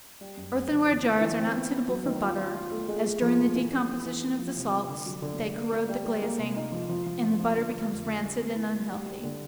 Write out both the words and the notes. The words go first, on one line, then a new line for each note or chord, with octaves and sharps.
Earthen-ware jars are not suitable for butter, as during the decomposition of the salts, they corrode the glazing; and the butter becomes rancid and unhealthy.
G3
F#2
F#2
D3
E3
E3
E3
C4
B3
B3
F#3
D#3
F4
F4
F4
A3
G#3
G#3
F3
A#2
E3
G3
B3
E3
A#3
F3
C3
C3
D3
F#3
D3
D3
A#3
A#3
G3
G3
A#3
C3
D#4
F3
F3
F3
F3
F3
D3
G3
F2
D3
G3
B3
E4
G3
G3
G3
D3